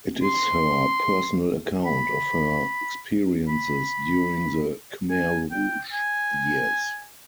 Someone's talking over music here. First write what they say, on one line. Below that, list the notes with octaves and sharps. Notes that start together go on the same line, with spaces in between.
It is her personal account of her experiences during the Khmer Rouge years.
C6
B5
B5
G#5
G5
G#5